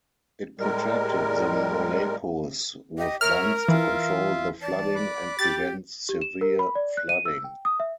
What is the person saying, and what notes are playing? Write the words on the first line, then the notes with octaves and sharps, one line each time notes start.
It protected the "molapo's" with bunds to control the flooding and prevent severe flooding.
A2 G3 G#3 A#4
G4 D#5
A#4 C#5 E5 F6
E3 F4 E5 F5
D5 A5
B5 D6 F#6
G4 A6
G4
E7
A#4
B5
D5
F#6
D#7
E6
G5
D#6
E5